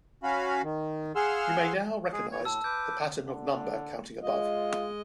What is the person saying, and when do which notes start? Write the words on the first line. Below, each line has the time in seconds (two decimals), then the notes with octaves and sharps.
You may now recognized the pattern of number counting above.
0.23 C#4 F#4 F5 B5
0.63 D#3
1.16 G#4 F5 F#5 C6 E6 F6
2.13 G#3 G#4
2.32 D#2 E3 C#5
2.45 A2 A5 E6
2.64 B4 D6 G6
3.27 D3
4.23 G#3 F4 D#5